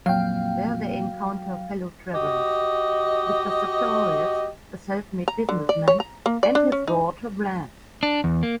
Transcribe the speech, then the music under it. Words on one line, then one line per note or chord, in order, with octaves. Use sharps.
There, they encounter fellow travelers: Mr Sartorius, a self-made businessman, and his daughter Blanche.
F2 A#2 F#3 F5 G5
F#4 G4 D#5
A#5
D3
D5
C#5
A#5
A#3
D5
D4
C#4
D#4
D4
E2
A#3